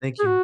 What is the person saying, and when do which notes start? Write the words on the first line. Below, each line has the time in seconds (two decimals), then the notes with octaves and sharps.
Thank you.
0.19 G#4
0.26 F#4